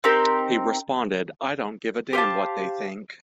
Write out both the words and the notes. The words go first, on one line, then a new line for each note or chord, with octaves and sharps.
He responded, I don't give a damn what they think.
C4 D#4 G4 A#4
G4 C5 F5 A5